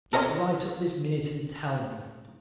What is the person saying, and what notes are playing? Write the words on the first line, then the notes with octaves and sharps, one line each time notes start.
Get right up this minute and tell me.
A4 A#4 D#5 G#5 C6